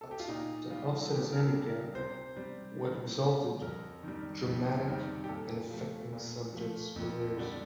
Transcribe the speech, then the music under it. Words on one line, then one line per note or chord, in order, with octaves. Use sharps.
But, to offset this handicap, what exalted, dramatic, and affecting subjects were theirs!
A4
G4
F4
A#2 D#4
G3 F4
A4
A#2 G4
A#4
A4
G3
A#4
C3 C5
G3
C3
G3
F2 A#4
D#3 G3
F2
D#3 G3
G4
A#2 A4
F3 A3
A#2
F3 A3
F2
D3 G3